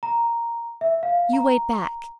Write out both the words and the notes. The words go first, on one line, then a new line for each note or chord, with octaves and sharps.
You wait back.
A#5
E5
F5
A#5